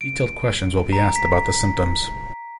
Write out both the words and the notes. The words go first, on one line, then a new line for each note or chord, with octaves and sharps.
Detailed questions will be asked about the symptoms.
D7
A#5
B6